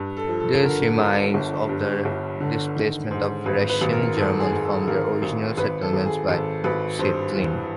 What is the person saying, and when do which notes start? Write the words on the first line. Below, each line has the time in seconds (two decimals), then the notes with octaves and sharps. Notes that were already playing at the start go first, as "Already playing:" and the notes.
This reminds of the displacement of Russian Germans from their original settlements by Stalin.
Already playing: G2
0.17 A4
0.28 F3
0.40 A4
0.63 D3 A#4
0.99 G1
1.34 G1
1.69 G2
2.05 G1
2.40 D3
2.76 D#3
3.11 G#2
3.46 G#1 B4
3.69 B4
3.81 G#1
3.93 A#4
4.17 G#2 A4
4.40 G#4
4.52 G#2
4.64 A4
4.87 G#1 A#4
5.22 G#1
5.57 G#1 B4
5.82 A4
5.93 G#1
6.06 G#4
6.29 G#1 A4
6.64 G#1 B4
6.99 G2 C5
7.35 E3